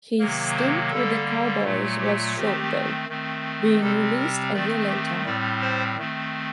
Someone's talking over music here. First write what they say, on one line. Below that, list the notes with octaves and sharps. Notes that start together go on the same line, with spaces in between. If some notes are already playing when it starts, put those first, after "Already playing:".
His stint with the Cowboys was short though, being released a year later.
C3 D#3 F#3 A#3 A#4
C5
D3 G3 A#3 A4
A#2 F#3 A3
G4
D#3 A3 C4 G4
D#3 A3 C4
C3 G3 C4 A4
A#4
D#3 A3 C4 D5
G4
A2 G3 C4 D5
C5
D#3 A3 C4